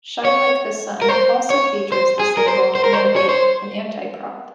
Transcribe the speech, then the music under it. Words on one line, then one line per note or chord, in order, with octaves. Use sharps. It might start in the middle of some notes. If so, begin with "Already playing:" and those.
"Shine Like the Sun" also features the single "No Hate," an anti-Prop.
C#5
A#4
C5
C#5
C5
G#4
A#4
C5
C5
A#4
C5
C#5
C5